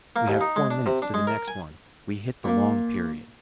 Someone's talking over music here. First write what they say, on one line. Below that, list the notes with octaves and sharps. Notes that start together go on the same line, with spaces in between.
"We have four minutes to the next one--we hit the long period!"
A#3
D#2
D#4
G#3
D4
C3
D4
G#3
A#4
G#5
A#2 A#3